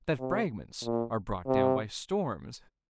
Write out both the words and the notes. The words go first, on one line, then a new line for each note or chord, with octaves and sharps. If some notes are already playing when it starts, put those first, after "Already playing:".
That fragments are brought down by storms?
C3
A#2
C3